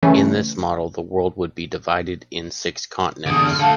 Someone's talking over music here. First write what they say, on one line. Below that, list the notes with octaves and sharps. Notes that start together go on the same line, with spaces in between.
In this model, the world would be divided in six continents.
C#3 E3 A3 C#4
E2 D3 D4 D#6
F6
D3 A3 F5 A5